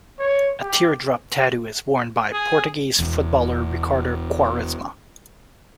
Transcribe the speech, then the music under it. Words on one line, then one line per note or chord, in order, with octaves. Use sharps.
A teardrop tattoo is worn by Portuguese footballer Ricardo Quaresma.
C#5
G4
G#4
E1 E2